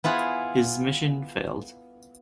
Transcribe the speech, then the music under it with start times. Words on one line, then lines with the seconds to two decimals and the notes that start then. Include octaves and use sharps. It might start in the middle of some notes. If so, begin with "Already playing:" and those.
His mission failed.
0.04 B3 E4 F4 G#4 B4